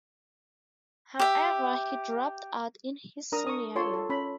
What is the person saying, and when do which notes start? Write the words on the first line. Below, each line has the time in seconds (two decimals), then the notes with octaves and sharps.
However, he dropped out in his senior year.
1.20 G4 E5
3.32 D4 A#4 A#5 D#6
3.47 C#6 D#6
3.75 F4 A4 C#5 A5 C6
3.93 A4
4.10 C#4 B5